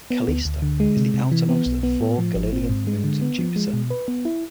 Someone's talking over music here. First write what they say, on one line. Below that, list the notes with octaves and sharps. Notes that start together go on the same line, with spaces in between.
Callisto is the outermost of the four Galilean moons of Jupiter.
B3
D2
D2
D3
G#3
C3
C3
E3
B3
B1
B3
A2
F3
G#1
C4
G#2
G#3
D3
B3
F3
G#3
B2
B4
B3
E4